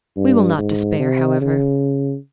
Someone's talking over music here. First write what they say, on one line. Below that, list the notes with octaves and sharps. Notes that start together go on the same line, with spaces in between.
We will not despair, however.
G2
G#2
C3
C#3